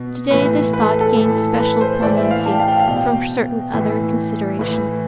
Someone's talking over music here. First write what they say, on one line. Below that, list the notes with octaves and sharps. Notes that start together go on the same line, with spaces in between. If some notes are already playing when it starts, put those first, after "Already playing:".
Today this thought gained special poignancy from certain other considerations.
Already playing: B2
A2 E3 B4
B4
A4
A4
A2 E3
B4
C5
A2 E3 D5
E5
F5
A5
G5
F5
G5
F5
B2 G5
A2 E3
A2 E3